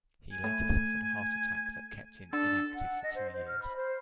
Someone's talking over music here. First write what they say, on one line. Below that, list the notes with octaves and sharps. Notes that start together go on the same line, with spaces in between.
He later suffered a heart attack that kept him inactive for two years.
G#5
A3
D4 A4
F#5
D#5
C5
C5
F6
B5
C5